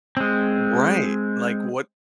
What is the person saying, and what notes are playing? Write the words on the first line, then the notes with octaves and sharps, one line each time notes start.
Right. Like, what
G#3 C4